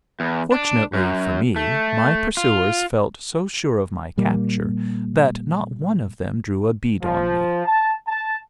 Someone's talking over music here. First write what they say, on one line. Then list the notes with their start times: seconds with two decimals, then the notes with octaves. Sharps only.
Fortunately for me, my pursuers felt so sure of my capture that not one of them drew a bead on me.
0.20 E2
0.52 D4
0.93 F#2
1.56 A3
2.37 F4
4.18 A#2 G3 A#3
7.02 F3
7.65 A5
8.07 A5